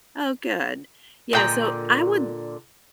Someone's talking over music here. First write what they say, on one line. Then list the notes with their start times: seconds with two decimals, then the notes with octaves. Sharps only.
Oh, good. Yeah, so I would
1.33 A#2 D3 G#3 G5 A#5